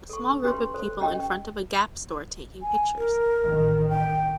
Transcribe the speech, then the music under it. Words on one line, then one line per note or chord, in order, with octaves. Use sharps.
A small group of people in front of a Gap store taking pictures.
A4 C#6
C#4 G4 B4 C6
A4 C5
C#4 G4 D#5 G5
G#5
A#4
A1 D#3
G5